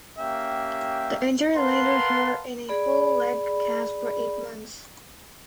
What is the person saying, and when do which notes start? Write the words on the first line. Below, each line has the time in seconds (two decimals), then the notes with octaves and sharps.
The injury landed her in a full leg cast for eight months.
0.19 A#3 C#4 G4 E5 G5
1.56 A#4 B4 F5 F#5 A5 C6
2.69 G#4 D5 B5